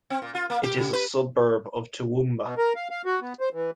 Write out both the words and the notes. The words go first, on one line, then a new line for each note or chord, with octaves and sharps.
It is a suburb of Toowoomba.
C4
A#2
F4
A#3
G4
C#3
B4
B2
A#4
F5
F5
F#4
B3
C5
E3